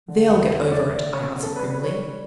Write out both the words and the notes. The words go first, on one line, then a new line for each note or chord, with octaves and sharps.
'They'll get over it,' I answered, grimly.
D3
E2 F#5
E2
C#5
A3 D5
D3
C#3 C#5
B3
A4
G3 B4
B4
G3
C#5
G3